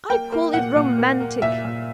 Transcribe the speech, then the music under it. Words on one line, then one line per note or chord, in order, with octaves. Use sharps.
I call it romantic.
A#3 G5
A#3
A#2 F#5
A#2
A#3
A#3
A#2 E5
A#2